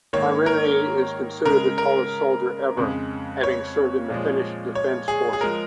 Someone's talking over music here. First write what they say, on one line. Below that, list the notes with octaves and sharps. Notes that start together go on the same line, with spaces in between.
Myllyrinne is considered the tallest soldier ever, having served in the Finnish Defence Forces.
G#2 D#3 A#3 C#5
A#4
C#3 G#3 A#4
A#4
F2 C#3 G#3
C#5
A#2 F3 G#3
C#5
G#4
G#4
F3 G#3 A#4